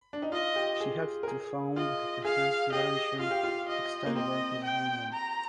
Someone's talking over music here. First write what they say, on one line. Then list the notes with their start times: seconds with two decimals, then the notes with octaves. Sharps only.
She helped to found the first Valencian Textile Workers' Union.
0.13 D4
0.22 D#4
0.32 F4 D#5
0.56 G4
0.80 G#4
1.23 A#4
1.28 G#4
1.76 F4 D#5
2.24 G#4 F5
2.72 G4 D#5
3.19 F4 F5
3.31 G4
3.43 F4
3.68 D#5
4.06 A#3
4.15 C4 D#5
4.63 G5
5.12 A#5